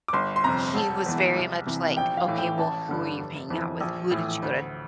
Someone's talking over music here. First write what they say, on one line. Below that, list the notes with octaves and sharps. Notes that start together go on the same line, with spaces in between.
he was very much, like, "Okay, well, who are you hanging out with? Who did you go to"
D6
G1 C6
C6
F2 C3 A#5
E1 A5
E2 E3
C2
C3 E3
A#1 G5
F5
A2 E3
G5
A1 A5
G2 D3
F1
F2 E3
A#1
A2 E3
D2